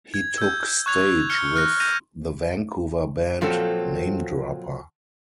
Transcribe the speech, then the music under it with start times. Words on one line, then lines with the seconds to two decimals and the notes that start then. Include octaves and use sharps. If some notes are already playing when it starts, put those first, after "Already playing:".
He took stage with the Vancouver band Namedropper.
0.14 G#6
0.38 E6 G6
0.86 C#6 F#6 G#6 F7
1.30 F6 C#7 G7
1.56 F6 F#6 A#6
1.80 F6 G6 A#6 D#7 F7
3.41 A#2 F3 F#3 C4 A4